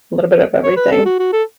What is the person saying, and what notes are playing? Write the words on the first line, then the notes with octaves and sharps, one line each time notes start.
a little bit of everything.
C#5
B4
A4
F#4
F#4
A4